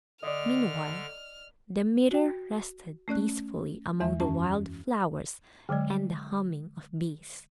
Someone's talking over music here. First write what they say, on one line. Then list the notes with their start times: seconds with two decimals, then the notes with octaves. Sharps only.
Meanwhile the mirror rested peacefully among the wild flowers and the humming of bees.
0.22 D3 D5 D#5 F6
2.11 F#4 G5
3.08 A3 C#4 D5 F#6
4.00 E2 E3 G#3 E5
4.20 F#2 E3 C#4 A5
5.69 D3 F#3 G#3 D5